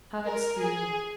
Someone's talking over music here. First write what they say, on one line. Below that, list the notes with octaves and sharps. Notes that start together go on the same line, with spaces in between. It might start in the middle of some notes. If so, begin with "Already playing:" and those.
Hart's Theory.
A#4
G#4